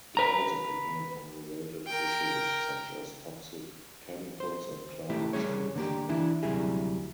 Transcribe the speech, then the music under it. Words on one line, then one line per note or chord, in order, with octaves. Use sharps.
It also campaigns on related issues such as toxic chemicals and climate change.
B4 A#5
A#4 G5
C5
A3 E4 G4
G3 C#4 G#4 C#5
D3 A#3 G4
E3 D4 E4
D2 C3 F#3 G3 E4 G#4